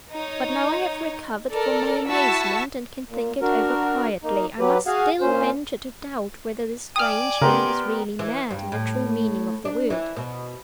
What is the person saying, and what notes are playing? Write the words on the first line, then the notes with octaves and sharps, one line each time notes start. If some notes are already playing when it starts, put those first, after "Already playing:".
But now I have recovered from my amazement, and can think it over quietly, I must still venture to doubt whether this strange man is really mad in the true meaning of the word.
D#4 C#5
A4 A#4 D5
E4 F#4 A5 C#6 E6 B6
A#2
D4 F#4 A#4
A#3 D#4
F#3 G4 B4
F#4 G#4 F5 F#5 G#5
A#2 C#4 C5
D5 G5 G#5 D#6 F6
C#3 B3 G4 A#4 C6
E3
G2
A2
D4
E3
B2